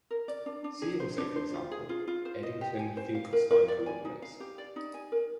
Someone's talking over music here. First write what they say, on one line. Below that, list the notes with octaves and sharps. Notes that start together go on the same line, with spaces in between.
See also for example Eddington-Finkelstein coordinates.
A#4
D5
D4
D4
G#4
C5
D4
C5
F4
G#4
F4
F4
C5
D#5
G4
G#5
C5
F5
A#4
A#4
D5
G#5
D#4
F5
G4
D5
D#4
G#5
A#4